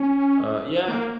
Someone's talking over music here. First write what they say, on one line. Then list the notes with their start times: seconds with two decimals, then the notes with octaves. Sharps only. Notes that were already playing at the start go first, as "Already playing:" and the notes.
Uh, yeah,
Already playing: C#4
0.88 A#3